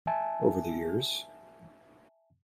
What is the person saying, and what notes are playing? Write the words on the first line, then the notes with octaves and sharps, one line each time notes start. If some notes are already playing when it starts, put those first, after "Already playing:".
Over the years.
E5 G#5 A5